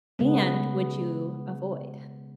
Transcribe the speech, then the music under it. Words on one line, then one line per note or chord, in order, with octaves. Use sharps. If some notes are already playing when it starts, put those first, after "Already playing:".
And would you avoid?
C#3 G#3 B3